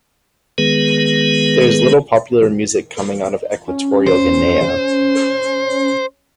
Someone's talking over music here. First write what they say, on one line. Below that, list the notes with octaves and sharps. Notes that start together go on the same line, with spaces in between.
There is little popular music coming out of Equatorial Guinea.
D#3 G#3 B3 G#4 B4
C#4
C5